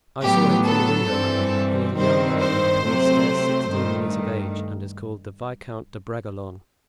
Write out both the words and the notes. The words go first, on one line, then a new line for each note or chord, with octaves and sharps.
"I saw him from the window, madame; he is a young man that appears scarce sixteen years of age, and is called the Viscount de Bragelonne."
A2 F#3 B3 G4
A4
G2 E3 G3 C4
G2 D#3 G3 C4 C5
C5
C3 F#3 A3 C4
G2 D#3 A3